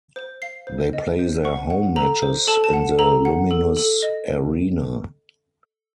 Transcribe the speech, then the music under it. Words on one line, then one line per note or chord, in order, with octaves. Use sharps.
They play their home matches in the Luminus Arena.
C5
F5 C7
C5
D#5
C5
F#5 C#6
F#5
A4 A#5
C5
A4 A5
A5
F#5
A4 A#5
F#5
A4
A4
D#5